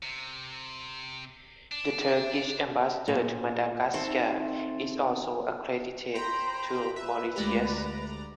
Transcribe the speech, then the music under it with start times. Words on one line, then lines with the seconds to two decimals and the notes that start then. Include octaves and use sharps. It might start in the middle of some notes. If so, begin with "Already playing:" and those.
The Turkish ambassador to Madagascar is also accredited to Mauritius.
0.03 C3
1.72 D4
3.08 A#2
3.93 D#3 C4 A4 E5
6.15 C5 G5 A#5 B5
6.96 B4 E5
7.36 D2 G#3 A3 G4 D5 A#5